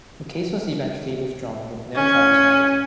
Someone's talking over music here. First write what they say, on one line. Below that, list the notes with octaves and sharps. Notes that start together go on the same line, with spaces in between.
The case was eventually withdrawn with no charges made.
C#4